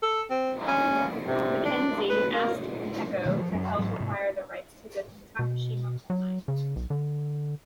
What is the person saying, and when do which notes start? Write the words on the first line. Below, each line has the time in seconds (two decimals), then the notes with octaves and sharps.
Mackenzie, asked Heco to help acquire the rights to the Takashima coal mine.
0.03 A4
0.30 C4
0.68 C#4
1.27 C3
1.65 D4
2.10 B4
2.34 A#3
3.25 B2 D#3 F#3 A3
3.40 F3
3.52 F#2 F#3
3.79 A1 G#2 F#3
4.00 G#2 C3
5.39 B2
6.10 F#3
6.48 C#3
6.76 B1
6.90 D3